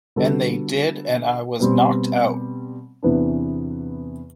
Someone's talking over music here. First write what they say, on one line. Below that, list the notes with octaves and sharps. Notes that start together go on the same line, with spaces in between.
And they did, and I was knocked out.
D3 G3 B3 F#4 A4
B2 G3 C4
E2 C3 E3 B3 D4